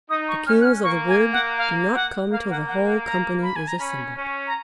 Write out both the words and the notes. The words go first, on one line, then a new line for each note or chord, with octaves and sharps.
"The kings of the wood do not come till the whole company is assembled."
D#4 D#6
C#6
C#4 F6
F#6
F6
A#3 C#6
G#5
F#5
F5
F#5
A#3 F5
F#5
F#5
F#5
A#5
B5
G#5
A#5
C#4 B5
C#4
A#5